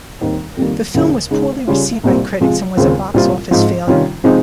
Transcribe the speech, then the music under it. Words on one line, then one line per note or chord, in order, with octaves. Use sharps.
The film was poorly received by critics and was a box office failure.
D#2 D#3 G3 C4
F2 D#3 G3 A#3
D#2 C#3 F3
C#3 G#3 D#4
C#3 G3 C#4 F4
C2 A#2 G3 C4
C3 F3 G#3
D#2 C#3 G#3 C4 F4
C2 A#2 G3 C4 F4
G#2 F3 C4
C3 D#3 G3 C#4 F4
C3 F3 G#3 C4 D#4